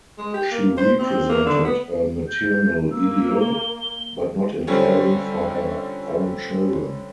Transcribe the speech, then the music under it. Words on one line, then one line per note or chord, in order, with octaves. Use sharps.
She represented a maternal ideal, but not in caring for her own children.
G#3
G4
A#3
C5
C4
A#3
D3
B3
G6
A#3 E6
G7
D3 F3 G3 C4 C#4